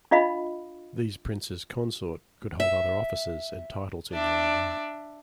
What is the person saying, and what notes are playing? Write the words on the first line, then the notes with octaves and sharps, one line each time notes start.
These princes consort could hold other offices and titles in their own right.
D4 F4 D#5 F5 B5
E5
D4 D5 E5